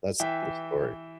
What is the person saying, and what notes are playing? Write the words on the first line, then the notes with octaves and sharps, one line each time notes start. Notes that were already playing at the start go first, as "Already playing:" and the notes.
That's another story.
E3 E5 G5
E3